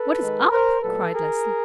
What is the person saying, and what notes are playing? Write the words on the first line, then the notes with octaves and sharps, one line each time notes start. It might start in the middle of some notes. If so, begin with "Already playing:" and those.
"What is up!" cried Leslie.
Already playing: A4 B4
D#3 G#3
A#4 C5
A#2 F#3 A3 A4 B4
G#4 A#4